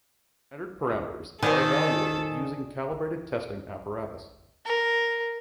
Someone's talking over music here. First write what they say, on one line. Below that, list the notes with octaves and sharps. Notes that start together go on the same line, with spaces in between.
Standard parameters are evaluated using calibrated testing apparatus.
D#3 A4 A#4 C5 D5 D#5 G#5 D#6
A#4